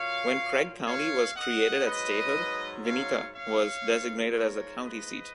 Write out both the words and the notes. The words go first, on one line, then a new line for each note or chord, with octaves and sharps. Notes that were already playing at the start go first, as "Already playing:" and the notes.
When Craig County was created at statehood, Vinita was designated as the county seat.
Already playing: A#2 F#3 C#5 F5
C#5 F5
D#5 F#5
G#2 F#3 B4 D#5
C#5 F5
C#5 F5
G#2 F3
A#4 C#5
B4 D#5